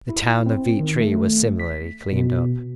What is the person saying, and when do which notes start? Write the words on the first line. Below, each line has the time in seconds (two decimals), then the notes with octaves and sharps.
The town of Vietri was similarly cleaned up.
0.09 E4
0.46 C4
0.80 D#3
1.00 A3
1.60 B6
2.12 B2